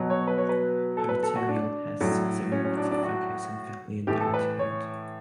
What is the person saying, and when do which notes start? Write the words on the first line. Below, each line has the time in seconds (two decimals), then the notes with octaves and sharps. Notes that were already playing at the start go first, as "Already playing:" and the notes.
Her material has since evolved to focus on family and parenthood.
Already playing: B2 F#3
0.10 C#5
0.27 B4
0.38 C#5
0.49 B4
0.97 A4
1.09 B4
1.23 A4
1.36 F#4
1.49 D4
2.01 A2 F#3
2.52 C#4
2.65 C#4
2.77 D4
2.91 D4
3.03 F#4
4.07 A2 E3 G4
4.20 A4
4.34 B4
4.59 C#5